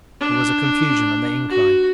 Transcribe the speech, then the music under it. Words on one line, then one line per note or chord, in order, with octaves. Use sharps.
There was a confusion on the incline.
D4
F#4